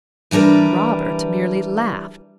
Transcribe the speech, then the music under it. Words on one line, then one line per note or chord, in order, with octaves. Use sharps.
Robert merely laughed.
E3 G3 D4 A#4 B4